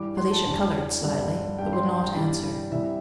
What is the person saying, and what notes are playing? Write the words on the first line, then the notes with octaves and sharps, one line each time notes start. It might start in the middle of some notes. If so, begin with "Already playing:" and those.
Felicia colored slightly, but would not answer.
Already playing: G2 E3 G3 D6
C6
A5
E2 D3 G3
G2 D3 G3
G2 G3 G5
C6
G5
G2 E3 G3 D5
C2 C3 E3 G3 E5